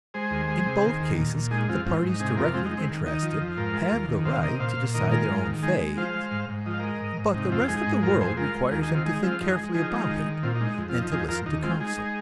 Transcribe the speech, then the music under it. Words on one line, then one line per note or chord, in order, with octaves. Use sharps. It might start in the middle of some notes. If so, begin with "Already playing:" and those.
In both cases, the parties directly interested have the right to decide their own fate, but the rest of the world requires them to think carefully about it, and to listen to counsel.
G#3 G#4 C5
D#2
G#3
C3
D#3
D#2
A#2
A#2
G#3 D#4 G#4
F2 C4 F4
G#2 C4 F4
C4
G#2
D#4
C3 D#4 G#4
F2 F4 A#4
G#3 C4 F4
D#4
G#3
C4
D#3
D#3 D#4
F3
F2
G#2 F4 A#4
G#3
D#2
D#3
C3 C5 F5
C3 A#4 D#5
A#2 C5 F5
A#2
D#3 A#4 D#5
G#3 F4 A#4
G#2
D#3
G#3 D#4 G#4
G#3
F3 C5 F5
G#3
G#2
G#2
F3 D#5
F5
G#3 A#4 D#5
G#2
G#2
C3 D#4
F2 C4 F4
G#3 D#4 G#4
G#2
F2 F4 A#4
F2 G#4 C5
G#3 F4 A#4
G#3
D#2 F4 A#4
D#4 G#4
D#3
C4 F4
G#3 D#4 G#4
F3 C4 F4
F2 D#4
D#4 G#4
G#3
F3 D#4 G#4
G#3 D#4
D#3
D#3
A#2 C4 F4
D#4
G#3
D#4
F2
C4 F4
F3
D#4
F2 D#4 G#4
F2 F4 A#4
D#2 D#4
G#3 C4 F4
G#3 D#4 G#4
G#3